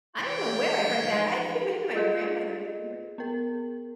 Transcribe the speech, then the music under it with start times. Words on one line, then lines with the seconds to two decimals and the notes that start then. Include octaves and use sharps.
I don't know where I heard that, I think maybe my grandmother is somewhere
0.18 E3 C#5 G5
1.03 F3 C#4 D#4
1.96 F4 G#4 A4 D#5
3.18 B3 A#4